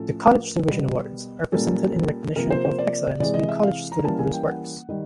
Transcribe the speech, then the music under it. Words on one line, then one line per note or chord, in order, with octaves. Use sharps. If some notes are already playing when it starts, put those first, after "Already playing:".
The College Television Awards are presented in recognition of excellence in college student-produced works.
Already playing: A2 F3 A3 C#4 A4
A#4
B2 G3 B3
A#2 G3 A#3 C#4 A4
C3 F3 A#3 A#4
C5
C5
D5
C3 E3 G#3 D5
D#5
E5
F5
A#5
E3 G3 A#3 C#4 A5
G#5
G5
F#5
D#3 G3